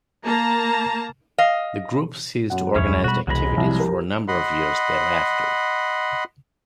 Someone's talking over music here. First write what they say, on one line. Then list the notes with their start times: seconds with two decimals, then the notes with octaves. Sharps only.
The group ceased organised activities for a number of years thereafter.
0.24 A#3 A5 A#5
1.38 D#5 F5
2.50 F#2 F#5
2.76 D1 F2 G#3 C#4 E4 C#5 E5
3.04 B2 F3 G3 F#4 B5
3.27 E1 C2 F#3 G#3 B5 A#6
3.58 C2 C3 F3
3.80 G4 A#4
4.28 D#5 F#5 B5 C6